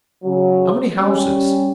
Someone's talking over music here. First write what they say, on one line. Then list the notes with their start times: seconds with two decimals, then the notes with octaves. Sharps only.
How many houses?
0.24 C#3 F#3
1.01 G3 C#4